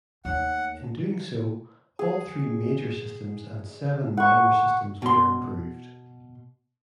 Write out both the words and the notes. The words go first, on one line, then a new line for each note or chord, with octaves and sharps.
In doing so, all three major systems and seven minor systems were improved.
D#2 A3 D#4 C#5 F#5
G#4
F#5 C#6
B2 C6